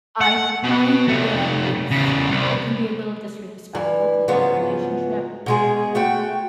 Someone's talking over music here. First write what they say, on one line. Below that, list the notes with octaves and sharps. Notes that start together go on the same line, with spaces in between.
I find that it's it can be a little disrespectful to the new relationship.
F#5
B2
C3 A3
E2 C#3
C2
G2 E3
G#2 C#3 F3 F#3 B3
B2 G#3 G#4
A3 F#4 G5